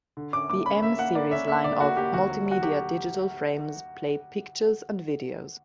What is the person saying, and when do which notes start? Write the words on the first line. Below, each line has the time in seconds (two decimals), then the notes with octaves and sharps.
The M-series line of "multimedia" digital frames play pictures and videos.
0.17 D3
0.33 C#4 D6
0.49 A#3 D6
0.66 C#4 B5
0.82 A#3 E5
0.98 A#3 F#5
1.15 A#3 D5
1.31 C#4 E5
1.48 A#3 E5
1.64 D3 D5
1.80 A#3 F#4
1.97 A#3 G4
2.13 D2 F#4
2.30 F#3
2.46 F#3
2.51 F#4
2.62 F#3 G4